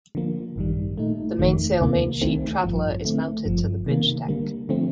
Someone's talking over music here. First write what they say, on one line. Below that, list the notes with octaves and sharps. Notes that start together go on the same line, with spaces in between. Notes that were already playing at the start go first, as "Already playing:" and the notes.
The mainsail mainsheet traveler is mounted to the bridge deck.
D3 F3 A#3
A1 G2 D#3 G3
A#2 A3 D#4
G1 F2 D#3 A3
D2 C3 D#3 A#3
C2 C3 D#3 A3 C4
A1 G2 F3
D3 A3 C4
G1 G2 F3
C3 D#3 A#3
D3 G3 A#3
D3 F3 A3 C4